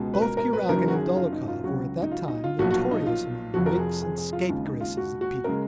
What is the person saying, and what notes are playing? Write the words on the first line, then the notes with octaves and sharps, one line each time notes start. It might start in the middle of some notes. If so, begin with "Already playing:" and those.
Both Kuragin and Dolokhov were at that time notorious among the rakes and scapegraces of Petersburg.
Already playing: C#2 B2 G#3
B4
A#4
A#4
B4
F#1 F#2 D#3 F#3 A#4
F#4
G#4
F4
D#4
F4
C#2 C#3 F#3 F#4
D#4
F4
D#4
F4
B1 A#2 F3 F#4
F#4
F4
D#4
F4
F1 F2 F3 F#4
A#4
G#4
G#4
G#4
F4
D#2 C#3 G#3 F4
D#4
F4
F#4
F#4
C#3 G#3 A#4